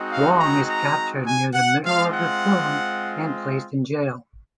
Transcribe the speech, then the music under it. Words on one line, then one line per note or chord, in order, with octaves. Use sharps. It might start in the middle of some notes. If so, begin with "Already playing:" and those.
Wong is captured near the middle of the film and placed in jail.
Already playing: G#3 C4 D#4 F#4
F5
A#5
A#5
G#5
F#5
G#3 C4 F4 F5
F#5